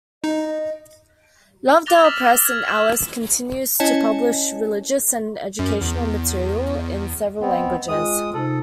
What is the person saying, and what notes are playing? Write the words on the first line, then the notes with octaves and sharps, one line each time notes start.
Lovedale Press, in Alice, continues to publish religious and educational material in several languages.
D#4 D#5
D6 F#6 A6 A#6 F7 G7
E6 F6 A#6 B6 E7 F#7
D6 G7
F6 G#6
F6 E7 F#7
C#4 E4 C#5 D#5 G#5 A5
F#2
E2
B3 C4 C5 D#5
G#3 F4 G5 D#6
C3 D#4 A4 C5